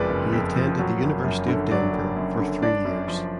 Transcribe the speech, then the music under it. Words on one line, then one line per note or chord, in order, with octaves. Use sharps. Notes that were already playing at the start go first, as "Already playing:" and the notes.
He attended the University of Denver for three years.
Already playing: F#1 F2 F3 G#3 B4 D5
F#1
F2
F3
F#3
F#1
F#2
D3
F#3 D5
F#1
F#2
D3
D4 D5
F#2
F3